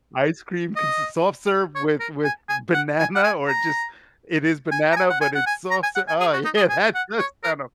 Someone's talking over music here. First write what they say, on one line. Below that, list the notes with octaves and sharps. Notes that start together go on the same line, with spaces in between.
Ice cream consists of soft serve with with banana or just it is banana, but it's soft serve oh, yeah. That does sound o
D#5
C#5
A#4
G#5
G#5
F#5
G#5
F#5
G#5
A#5
G#5
A#5
G#5
F#5
G#5
F#5
G#5
A#5
G#5
F#5
G#5
G#4
F#4
D#4
G#4
G#5
F#5
C#5
A#4